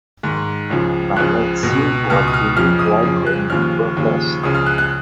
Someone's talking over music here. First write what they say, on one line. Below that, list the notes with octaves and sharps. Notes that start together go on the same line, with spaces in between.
Now let's see what you look like when you protest.
G#2 D#3
C#2 C#3 F3
C#2 C#3 F3 F#6
C#2 B2
C#2 B2 F6
D#6
F6
F2 C#3 F3 F6
D#6
F2 C#3 F3
F#6
D#2 C#3 F3 F6
D#2 C#3 F3
C#2 C#3 F3 D#6
F6
F#6
F#6